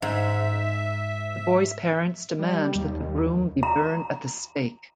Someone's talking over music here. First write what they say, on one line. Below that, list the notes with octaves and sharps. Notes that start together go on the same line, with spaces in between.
The boys' parents demand that the broom be burned at the stake.
G#2 E5
G3
D#2
A#5